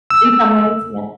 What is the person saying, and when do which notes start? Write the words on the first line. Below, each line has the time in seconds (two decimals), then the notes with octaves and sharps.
In some ways, yeah.
0.10 E6